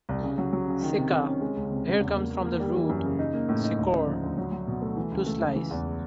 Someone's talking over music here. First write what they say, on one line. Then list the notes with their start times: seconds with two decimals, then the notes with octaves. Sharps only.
"Sica" here comes from the root "secor", "to slice".
0.09 C2
0.23 C#3
0.38 F#3
0.53 F#3
0.68 C#3
0.82 D#3
0.97 C3
1.12 C3
1.27 C#4
1.41 G#3
1.56 C#2
1.71 C3
1.86 C#2
2.01 E2
2.16 A#3
2.30 A#3
2.45 A#3
2.60 G3
2.75 E3
2.89 F#2
3.04 C#3
3.19 D#4
3.34 A#3
3.49 A2
3.64 D#4
3.78 D2
3.93 C#3
4.07 F3
4.23 D2
4.37 F#3
4.52 F#3
4.67 B2
4.82 A3
4.96 E3
5.11 C#2
5.26 A3
5.41 C#2
5.56 E3
5.71 E2